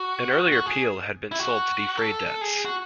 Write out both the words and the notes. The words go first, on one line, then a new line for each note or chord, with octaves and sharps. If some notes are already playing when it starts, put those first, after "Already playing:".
An earlier peal had been sold to defray debts.
Already playing: F#4
F#4
G#4
E4
F#4
A4
A4
G#4
F#4